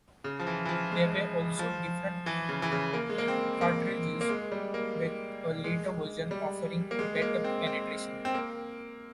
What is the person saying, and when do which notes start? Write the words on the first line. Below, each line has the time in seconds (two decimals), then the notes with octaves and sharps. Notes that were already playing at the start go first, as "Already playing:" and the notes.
There were also different cartridges, with a later version offering better penetration.
0.24 C#3
0.40 F3
0.47 E3
0.65 E3
0.69 F3
0.92 G#3
1.59 F3
2.26 E3
2.49 C#3
2.62 E3
2.72 C#3
2.93 A#3
3.09 G#3
3.18 A#3
3.28 C4
3.61 A#3
4.21 A#3
4.29 G#3
4.52 G3
4.74 A#3
5.64 G#3
6.31 G3
6.91 A#3
6.99 G#3
7.15 G#3
7.22 A#3
7.44 C4
7.67 C4
8.25 C4
8.34 A#3